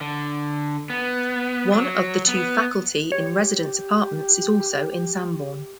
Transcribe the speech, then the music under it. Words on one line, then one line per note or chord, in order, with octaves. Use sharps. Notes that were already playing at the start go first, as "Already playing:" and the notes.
One of the two Faculty in Residence apartments is also in Sanborn.
D3
B3
F#3
B3
G4 C#5